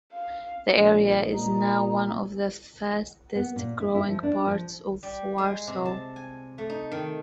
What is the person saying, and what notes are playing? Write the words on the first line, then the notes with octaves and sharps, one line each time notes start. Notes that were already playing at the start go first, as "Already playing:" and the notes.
The area is now one of the fastest-growing parts of Warsaw.
F5
A#1 D#5
A#2 A#5
B3
A#2
E4
E4
F3
D4
F3
G3
G#3
C3
A5
G#5
A3
D#4
D#3